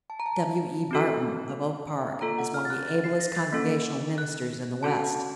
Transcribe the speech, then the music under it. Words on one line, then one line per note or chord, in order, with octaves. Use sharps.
W. E. Barton, of Oak Park, is one of the ablest Congregational ministers in the West.
A5
A#5
A5
C4 F#4 A4
A#3 F4 A4 A#5
F#5
F6
A6
F#6
A6
C7
A6
A#6
A6
A#3 C#4 A4
F#6
C#4 F#4 A4 A5
F#5